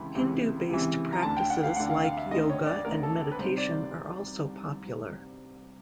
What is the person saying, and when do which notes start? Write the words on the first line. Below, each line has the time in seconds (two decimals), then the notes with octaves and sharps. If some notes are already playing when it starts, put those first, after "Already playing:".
Hindu based practises like Yoga and meditation are also popular.
Already playing: C#2 C3 E3 B5
0.15 C#2 C3 E3
0.69 C#2 C3 E3
1.13 A#5
1.22 D2 D3 A5
1.37 G5
1.50 F#5
1.63 F5
1.76 D2 D3 F#5
1.90 F5
2.04 F5
2.17 E5
2.31 D2 D3 D#5
2.50 C#5
2.66 D5
2.85 D2 D3 A#4
3.03 A4
3.32 B4
3.39 C2 C3 D#3 C5
3.57 D5